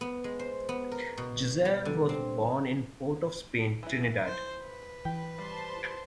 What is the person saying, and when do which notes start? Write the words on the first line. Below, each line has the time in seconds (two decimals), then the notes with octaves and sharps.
Giselle was born in Port-of-Spain, Trinidad.
0.01 B3
0.24 G#3
0.39 C5
0.69 B3
0.92 A#4
1.17 B2
1.65 G3
1.85 D3
2.09 C4
3.83 E3 E4
4.25 C5
4.62 B4
5.05 E3 G4
5.38 G3 C5 A5 C6